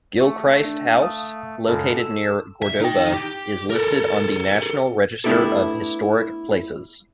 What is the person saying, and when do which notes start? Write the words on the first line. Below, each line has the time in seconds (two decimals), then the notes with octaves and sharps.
Gilchrist House, located near Cordova, is listed on the National Register of Historic Places.
0.21 A3 C#6
0.65 D4
0.98 F5 A5 D#6
1.66 F#2 C#3 G#3 A4 A5
1.99 E6
2.62 E5
2.81 D#4 G5
3.14 G4
3.70 A4 A#4
5.24 A3 B3 D4 E4 G4 A4